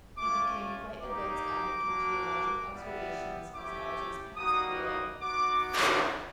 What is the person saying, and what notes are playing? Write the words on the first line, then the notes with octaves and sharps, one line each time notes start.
He became quite adept at making geologic observations as objects passed below.
A3 C#4 F4 D6
A#3 D#4 G4 D6
A#3 D4 F#4
G3 B3 E4
A3 C#4 E4 G4 D6
G3 A#3 D#4 F#4 D#6
D#6
B3 D#4 F#4 D6
D6